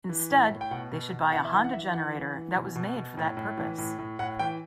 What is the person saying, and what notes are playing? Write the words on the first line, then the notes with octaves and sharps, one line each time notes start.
Instead, they should buy a Honda generator that was made for that purpose.
E3
A2
A2
G5
B2 F#5
B2
B2
E3 F#5
E5
E3 F#5
F#5
E3 E5
E3 F#5
E3
E3
B2
B2
B2
A2
A2
E3
A2
A2
A2 F#5
E3 G5